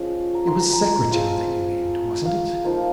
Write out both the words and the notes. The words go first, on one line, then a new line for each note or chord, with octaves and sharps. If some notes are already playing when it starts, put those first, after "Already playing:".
'It was Secretary that you named; wasn't it?'
Already playing: F3 G#3 C#4
A#5
C6
A#5
G#5
F3 G#3 C4 F4
F5
F3 A#3 D#4